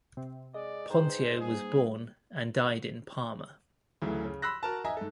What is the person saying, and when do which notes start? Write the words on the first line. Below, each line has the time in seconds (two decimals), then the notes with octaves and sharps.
Pontio was born and died in Parma.
0.17 C3
0.54 G#3 D5 D#5
0.90 G#2 B4 C5 G5 A#5
1.40 G3 A#3 G#4 D#6
4.02 D2 C#3 E3 F#3 A3
4.25 C#3
4.42 B5 C6 E6 F#6 A#6
4.63 F#4 A#4 A5
4.84 D#5 E5 G#5 A#5
4.97 G#2 A4